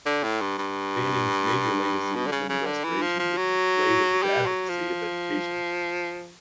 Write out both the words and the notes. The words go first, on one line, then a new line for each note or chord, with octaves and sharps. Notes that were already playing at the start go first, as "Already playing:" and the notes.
Fanning's major legacy within the Restoration Movement lay with his advocacy of education.
D3
A2
G2
G2
B2
D3
C#3
C#3
D3
E3
F3
F3
F#3
G3
F#3
F3